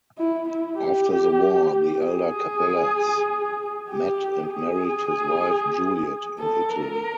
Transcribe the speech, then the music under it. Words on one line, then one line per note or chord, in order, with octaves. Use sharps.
After the war, the elder Capellas met and married his wife, Juliet, in Italy.
E4
E4
G4
G#4
G4
G#4
A4
A#4